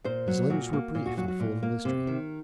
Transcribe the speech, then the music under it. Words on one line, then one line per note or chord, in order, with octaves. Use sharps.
His letters were brief and full of mystery.
A#2 C5
F#3
A#2 F#4
A#3
A#2
F#4
F#3 F#4
F#4
A#2
A#3
C3
D#3